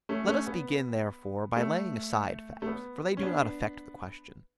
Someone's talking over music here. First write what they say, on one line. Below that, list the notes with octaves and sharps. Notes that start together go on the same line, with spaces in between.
Let us begin therefore, by laying aside facts, for they do not affect the question.
A3 C#4
A3 C#4
B3
A3
A3
B3
C#4
B3 D4